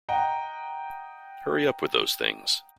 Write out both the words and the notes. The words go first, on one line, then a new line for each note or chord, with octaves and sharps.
Hurry up with those things.
D#5 F#5 G5 A#5